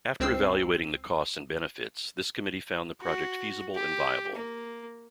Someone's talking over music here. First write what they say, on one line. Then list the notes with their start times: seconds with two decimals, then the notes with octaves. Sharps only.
After evaluating the costs and benefits, this committee found the project feasible and viable.
0.20 C#2 C4 C5 E6 C7
3.02 F#4
3.75 G4
4.35 A#3